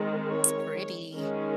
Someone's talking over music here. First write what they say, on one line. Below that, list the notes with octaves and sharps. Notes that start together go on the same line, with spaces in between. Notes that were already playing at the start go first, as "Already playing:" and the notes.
It's pretty.
Already playing: D#3 G#3 C4
C#5
D#3 G#3 C#4